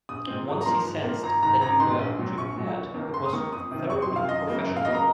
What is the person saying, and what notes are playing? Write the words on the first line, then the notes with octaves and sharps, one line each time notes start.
Once he sensed that you were prepared he was thoroughly professional.
A#1 D#6
A#2 G#3 C4
G#2
A#5
F3 A#3 C6
G#2
F3 A#3
G#1 A#5
G#2 D#3 A#5
G#1 A#5
G#2 D#3 C6
A#1
A#2 F#3
A#1 C#6
A#2 F#3
F1
D#2 D#3 A#3
F1 C6
D#6
D#2 D#3 A#3 C#6
F2 D#6
C3 D#3
F2 C#6
C6
C3 D#3
F5
F#2 D#5
C#3 F#3 A#3
F#2
F5
C#3 F#3 A#3 D#5
A#5